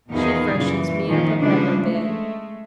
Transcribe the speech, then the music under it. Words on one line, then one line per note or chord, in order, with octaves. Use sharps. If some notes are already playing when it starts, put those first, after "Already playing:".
She freshens me up above a bit.
E2 B2 D#3 D#4 F4 G#4
F#2 A#2 C#3 E3
A#2 D#3 F3
C#3 E3 F3 G3 G#3 D4
G#3 A3